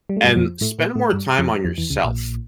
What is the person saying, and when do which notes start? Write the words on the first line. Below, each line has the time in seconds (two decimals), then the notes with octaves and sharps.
and spend more time on yourself.
0.09 G3
0.17 A3
0.24 G2 G3
0.35 F2 F3
0.61 A2 A3
0.79 A#2 A#3
0.96 A2 A3
1.13 G2 G3
1.39 F2 F3
1.64 F2 F3
1.78 E2 E3
1.90 C#2 C#3
2.04 A#1 A#2